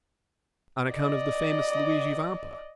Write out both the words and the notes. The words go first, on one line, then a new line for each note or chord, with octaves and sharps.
"On account of the famous Luigi Vampa."
D5 D#5